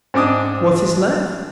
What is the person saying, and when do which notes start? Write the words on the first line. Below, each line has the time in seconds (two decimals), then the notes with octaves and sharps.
What is left?
0.14 G#2 C4 D4 D6 D#6